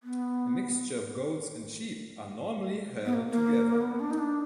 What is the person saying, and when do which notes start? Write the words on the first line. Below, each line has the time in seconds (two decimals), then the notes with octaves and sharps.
A mixture of goats and sheep are normally herded together.
0.03 B3
3.05 B3
3.14 A#3
3.31 A#3
3.81 B3
4.00 D4
4.11 D#4
4.18 D4